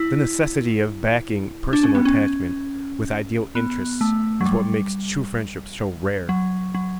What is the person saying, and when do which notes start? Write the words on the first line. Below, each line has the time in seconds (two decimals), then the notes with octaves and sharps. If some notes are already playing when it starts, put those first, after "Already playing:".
The necessity of backing personal attachment with ideal interests is what makes true friendship so rare.
Already playing: E4
1.73 D4
1.83 C#4
1.95 B3
2.05 C#4
3.55 B3
4.01 A3
4.41 F#3
4.46 G3
6.29 F#3
6.75 F#3